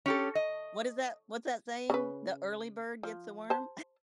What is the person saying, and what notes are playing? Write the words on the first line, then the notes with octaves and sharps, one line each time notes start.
What is that what's that saying? The early bird gets the worm?
C#4 G4 A4
D#5
C#3 B4
F3
C5 A5